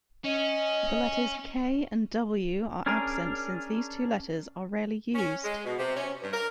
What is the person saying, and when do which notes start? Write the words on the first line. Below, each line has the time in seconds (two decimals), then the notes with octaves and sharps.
The letters "K" and "W" are absent since these two letters are rarely used.
0.24 C#4 D#5
2.86 C#4 D4 G#4 A#4
5.15 C#4
5.42 G#3
5.64 B2
5.78 C3
5.95 C#4
6.21 G2
6.33 A#4